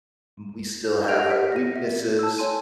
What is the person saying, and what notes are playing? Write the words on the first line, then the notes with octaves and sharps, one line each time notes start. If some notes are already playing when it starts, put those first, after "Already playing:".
we still have, like, weaknesses
G4 D5 D#5 F6 D7 F7
F#5 F6 B6 D7
A#6 D#7
E5
A5 E6
C#5 G#5 C6 D#7